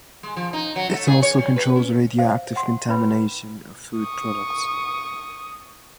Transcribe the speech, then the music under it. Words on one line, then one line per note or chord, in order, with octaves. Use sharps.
It also controls radioactive contamination of food products.
G#3
F3
D#4
F#3
A3
G#4
C#5
G3
B4
C#4
C5 F5
F#5 C6
C#4 E4 B4 B5
C#6 D#6